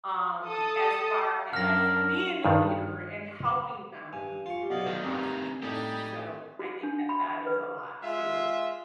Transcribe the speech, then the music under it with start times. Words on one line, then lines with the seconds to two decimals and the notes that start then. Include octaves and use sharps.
um, as far as being the leader and helping them through their processes. So, I think that that is a lot to,
0.45 A4 A5 D#6
1.53 F#2 D4 A#4 F6 A#6
2.45 G2 D#3 D4
4.13 G2 G#5
4.46 F4 C#6
4.70 B1 D5 D#5 F5 F#5
4.87 D2 D#3 D#6
5.04 G2 C4 G#5 A#5
5.63 A2 G3 D4 D#4 G4 G5 G#5 D#6
6.59 F#4
6.83 D4
7.09 B5
7.46 B4
8.02 G#3 F4 E5